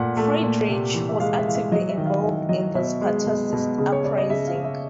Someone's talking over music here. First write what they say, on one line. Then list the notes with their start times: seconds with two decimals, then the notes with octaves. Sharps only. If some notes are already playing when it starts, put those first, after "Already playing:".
Friedrich was actively involved in the Spartacist uprising.
Already playing: A#2 A3 F#5
0.17 A3
0.43 A#2
0.69 C3
0.94 E3
1.09 E5
1.20 G#3 F5
1.38 E5
1.46 E3 F5
1.55 E5
1.72 F#3 D#5
1.89 E5
1.98 D#3
2.06 F5
2.23 D#3 E5
2.49 F#3 D#5
2.75 B2 E5
3.01 G#3
3.26 B2
3.53 B2
3.78 C#3
3.92 C#5
4.04 C#3 D5
4.18 D#5
4.30 C#3 E5
4.47 F5
4.56 C#3
4.64 E5